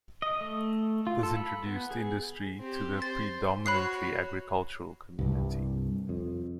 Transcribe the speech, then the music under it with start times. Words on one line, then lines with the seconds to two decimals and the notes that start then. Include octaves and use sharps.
This introduced industry to a predominantly agricultural community.
0.22 D#5
0.41 A3
1.07 F4
1.23 A4
1.37 B5
1.66 B3
1.91 G#4
2.60 C4 G4
3.02 C5 A6
3.66 F#4 C#5 B5 F#6 C7
5.19 C2 G2
6.09 F2